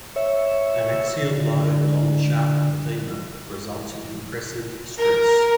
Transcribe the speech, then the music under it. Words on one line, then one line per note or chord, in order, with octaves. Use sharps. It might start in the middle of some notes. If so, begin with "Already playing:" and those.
An axial load along the shaft of the femur results in compressive stress.
C#5 E5
D3
A#4